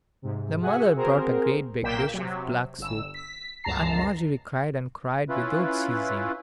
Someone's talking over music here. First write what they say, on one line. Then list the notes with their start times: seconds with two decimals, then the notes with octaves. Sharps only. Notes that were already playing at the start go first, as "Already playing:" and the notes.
The mother brought a great big dish of black soup, and Margery cried and cried without ceasing.
0.22 G#2 C3
0.61 F#4 G#4 E5 F#5 G#5
0.95 C4 F#4 G#4 A#4 C5
1.82 B1 A#2 A#3 G5 B6 E7
2.14 C3 F#3
2.78 G1 E6
3.14 B6
3.64 G1 C#2 F#2 A5 A#5 C7
5.29 C#4 E4 F4 B4